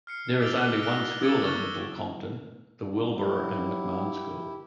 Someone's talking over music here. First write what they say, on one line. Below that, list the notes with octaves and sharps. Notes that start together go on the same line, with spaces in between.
There is only one school in Little Compton, the Wilbur and McMahon school.
F6 C7 C#7
D6 E6 A6 D7 F7 G7
B6
F#6 A#6 D7 G7
D6 E6 G#6 A6 C#7
C#6 F#6 A6 C#7 G7
F#3 E4 G4